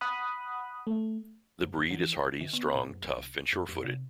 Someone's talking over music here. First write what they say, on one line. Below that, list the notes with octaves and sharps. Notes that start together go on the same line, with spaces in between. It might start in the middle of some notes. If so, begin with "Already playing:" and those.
The breed is hardy, strong, tough, and sure-footed.
F#5 B5 D#6 F#6
A3
F#2
E3
D1
D3
B3
A#2
F#2
A#1
C2
F#2
F2
C3